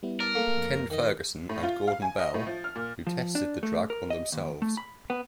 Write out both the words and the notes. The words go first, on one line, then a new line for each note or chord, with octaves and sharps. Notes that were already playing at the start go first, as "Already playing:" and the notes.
Ken Ferguson and Gordon Bell, who tested the drug on themselves.
G3 B3 E4
A#4 D5 A5
A3 A#3
F2
D#3 D#5
A2
F4
F5
G#5
D#5
A2
F3
F6
A#2
F3
D4
A3
A#4
D#5
D#2
A3
B5
B3